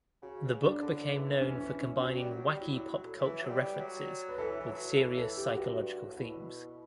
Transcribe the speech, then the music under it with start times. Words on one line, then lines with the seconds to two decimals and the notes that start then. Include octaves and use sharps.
The book became known for combining wacky pop culture references with serious psychological themes.
0.22 C#3 F#4
0.62 D4
0.82 D3
1.12 E3
1.41 E3 C#4
1.61 C#4
1.81 C#4
2.00 F#3 F#4
2.16 G3
2.30 F#3
2.46 G3
2.59 F#3 E4
2.75 E4
2.90 F#4
3.04 A4
3.19 E3
3.42 F#3
3.49 G3
3.79 F#3
4.29 B4
4.38 E3 A4
4.60 E3
4.68 F#3
4.97 E3 A4
5.17 A4
5.37 G4
5.51 F#2
5.57 G2 F#4
6.04 A2
6.16 B2 E4